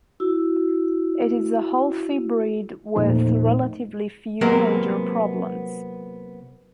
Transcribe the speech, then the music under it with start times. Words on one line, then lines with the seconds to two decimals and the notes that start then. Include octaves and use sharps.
It is a healthy breed with relatively few major problems.
0.20 E4 F#4 E6
2.96 E2 A#2 F3 A3 D#4
4.41 C3 F#3 G#3 A#3 B3 A#4